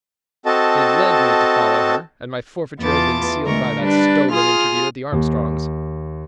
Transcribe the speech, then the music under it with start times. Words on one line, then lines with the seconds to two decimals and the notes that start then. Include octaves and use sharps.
She had led me to follow her, and my forfeiture had been sealed by that stolen interview at the Armstrongs’.
0.46 C4 F#4 A4 D#5 A5
2.80 E2 B3 F4 A5 D6 A6
3.45 D3 G#3 A3 A#4 C#6
3.76 G3 D4 B4
4.32 F4 G#4 C6 D#6 F6
5.12 D#2